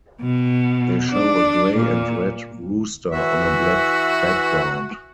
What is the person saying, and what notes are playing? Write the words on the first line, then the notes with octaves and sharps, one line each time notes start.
They show a gray and red rooster on a black background.
B2
D4
A#2
E3 F#4 E5